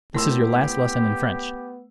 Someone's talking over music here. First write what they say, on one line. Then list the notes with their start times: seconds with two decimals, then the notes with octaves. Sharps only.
This is your last lesson in French.
0.14 A2 A3 B3 G4 A#4 C6 E6